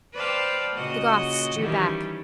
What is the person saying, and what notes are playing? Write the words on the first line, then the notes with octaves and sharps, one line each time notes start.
The Goths drew back.
B4 C5 D5 F5 G5 A5
A#2 C#3 F#4 D#5 F#5 D#6
D#3 E3 F#3 G3 C#4